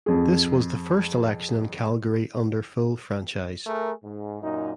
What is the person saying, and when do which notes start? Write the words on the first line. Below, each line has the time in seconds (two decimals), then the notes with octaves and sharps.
This was the first election in Calgary under full franchise.
0.06 F2 G#4
3.67 A3 G#4 A#4
4.04 G#2
4.43 F#2 A#2 D#4